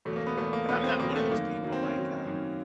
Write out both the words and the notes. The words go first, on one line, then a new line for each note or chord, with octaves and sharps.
Yeah, but I'm not one of those people like, um,
E2 B2 F#3 A3
A#3
B3
E2 B2 F#3 A3
A#3
E2 B2 F#3 B3
C4
E2 B2 F#3 A#3
A3
F#2 D#3 F#3 A#3
F#2 D#3 F#3
C4
C#4
F#2 D#3 F#3
F#2 D#3 F#3